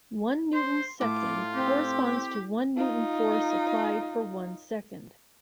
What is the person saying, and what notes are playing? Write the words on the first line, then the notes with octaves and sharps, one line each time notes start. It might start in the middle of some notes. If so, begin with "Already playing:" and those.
One newton second corresponds to a one-newton force applied for one second.
C5 C6
A2 F4 D6
C4 G4
D#4 F4